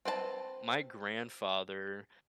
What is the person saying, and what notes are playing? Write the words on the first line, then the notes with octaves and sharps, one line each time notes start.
my grandfather
C4 B4 C5 A5